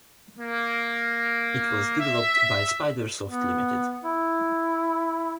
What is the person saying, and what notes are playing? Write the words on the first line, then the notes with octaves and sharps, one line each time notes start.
It was developed by Spidersoft Limited.
A#3
E5
B3
E4